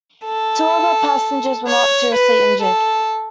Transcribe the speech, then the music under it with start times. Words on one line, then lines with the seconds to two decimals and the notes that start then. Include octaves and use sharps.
Two other passengers were not seriously injured.
0.25 A4
1.68 C#5
2.15 B4
2.62 A4